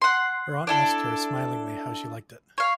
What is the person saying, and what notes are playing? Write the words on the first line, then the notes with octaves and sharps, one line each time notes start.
Her aunt asked her, smilingly, how she liked it.
F#5 C6
D4 E4 A4
C#5 F5